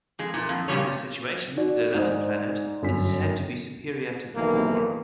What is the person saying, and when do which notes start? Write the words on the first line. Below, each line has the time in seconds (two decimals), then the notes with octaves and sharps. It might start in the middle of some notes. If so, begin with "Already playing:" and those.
In this situation, the latter planet is said to be superior to the former.
0.19 F2 G#3
0.34 A#2 E3
0.49 F2
0.68 G2 A#2 C#3 G3 C#4 C#5
1.57 D#4 F#4 D5
1.95 G#2 C5 D#5
2.82 G1 F#2 B6
4.36 B1 B2 D#3 E3 A#3